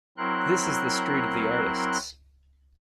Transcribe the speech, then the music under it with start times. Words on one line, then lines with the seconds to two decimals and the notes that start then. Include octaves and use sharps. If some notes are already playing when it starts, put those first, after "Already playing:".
This is the street of the artists.
0.18 F#3 C4 E4 A#4 C6 F#6